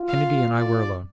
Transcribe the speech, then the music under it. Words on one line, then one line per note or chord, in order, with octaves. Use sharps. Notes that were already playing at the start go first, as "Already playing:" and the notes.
Kennedy and I were alone.
Already playing: F4
F5
D5